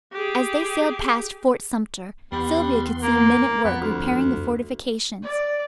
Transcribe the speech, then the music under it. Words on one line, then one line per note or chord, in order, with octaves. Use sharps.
As they sailed past Fort Sumter Sylvia could see men at work repairing the fortifications.
G4 G#4
E2 G3 B3 C6
A#3
F2 B3
D2
D5